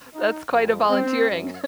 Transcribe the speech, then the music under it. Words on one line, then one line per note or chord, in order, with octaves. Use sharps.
that's quite a volunteering.
D#4
F2
C4
F#2